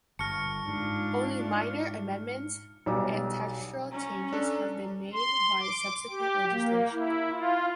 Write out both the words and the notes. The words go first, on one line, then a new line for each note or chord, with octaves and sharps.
Only minor amendments and textural changes have been made by subsequent legislation.
G1 A5 C#6 F6 A#6 C#7
G#2 D4 F4
B1 B2 G3 D6
C#4 A#5
D4 A4
C6
D6
G4
A#3
E4
F4